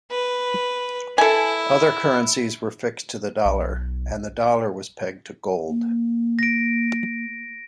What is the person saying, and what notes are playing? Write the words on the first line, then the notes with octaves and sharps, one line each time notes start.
Other currencies were fixed to the dollar, and the dollar was pegged to gold.
B4
E4 A4 G#5
B1
A#3
A#6 D7